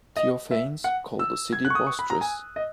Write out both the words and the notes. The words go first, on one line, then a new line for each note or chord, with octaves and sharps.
Theophanes called the city Bostrys.
D#5
E5
F#5
E6
G#6
F#6
C#6
D#6
C#6
B5
A#5
G#5
D#5